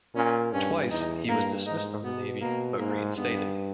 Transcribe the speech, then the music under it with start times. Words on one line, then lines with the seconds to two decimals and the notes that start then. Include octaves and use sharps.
Twice, he was dismissed from the Navy, but reinstated.
0.15 A#2 C#4
0.53 G2 C#4
0.91 E2 D#4
1.28 G2 A#3
1.66 G#2 D#4
2.03 B2 B3
2.41 B2 A#3
2.79 G#2 A#3
3.16 G2 B3